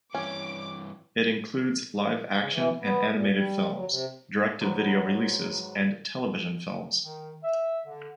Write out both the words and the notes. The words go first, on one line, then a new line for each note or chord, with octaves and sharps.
It includes live action and animated films, direct-to-video releases, and television films.
G2 E3 C#4 D6
C#3
E3
B3
A#2
G3
F#3
C3
G#2 D#3 F#3 B4
D#3
E5
D3